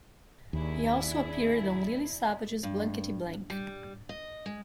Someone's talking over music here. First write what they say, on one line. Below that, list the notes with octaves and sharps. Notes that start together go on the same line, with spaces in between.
He also appeared on Lily Savage's Blankety Blank.
D#2 D4 E4 G#4
G2
G3
D#5
G#3